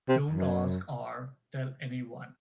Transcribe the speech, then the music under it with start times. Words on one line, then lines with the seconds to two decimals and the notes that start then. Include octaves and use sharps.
Don't ask or tell any one.
0.09 C3
0.31 F#2